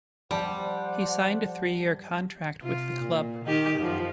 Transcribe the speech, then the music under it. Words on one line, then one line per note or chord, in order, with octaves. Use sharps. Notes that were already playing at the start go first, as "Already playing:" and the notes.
He signed a three-year contract with the club.
F3 G3 C5 D5 F#5 G5 A5
C3 F4
A#2
D#3 D#4 G4
F#2 F3